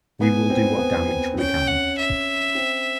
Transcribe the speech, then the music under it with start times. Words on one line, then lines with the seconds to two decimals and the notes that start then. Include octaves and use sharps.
We will do what damage we can.
0.21 B3 G#5
0.50 C4
0.79 B3
1.08 C4
1.34 C4
1.37 C#4 G5
1.67 F#5
1.97 E5
2.55 C4